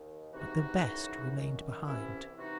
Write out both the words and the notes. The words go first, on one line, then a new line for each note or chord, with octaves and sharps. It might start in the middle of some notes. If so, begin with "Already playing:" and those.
But the best remained behind.
Already playing: D#2 D#3
C#2 C3 E3 D#4 F#4
F#2 C#3 E3
F#2 D#3
C2 C3 E3 C#4 E4
C3 E3 D#4 F#4